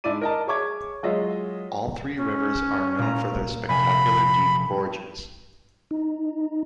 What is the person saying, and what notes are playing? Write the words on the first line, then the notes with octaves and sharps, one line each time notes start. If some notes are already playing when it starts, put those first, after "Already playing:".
All three rivers are known for their spectacular deep gorges.
G#2 D4 E4 D5 D#7
A#4 D#5 A5
G#4 C#5 E5 C#6 D6 G#6
F#3 G#3 F4 C#5 D#5 E5
C#4
A#2 A#5
F1 G#5 B5
D#4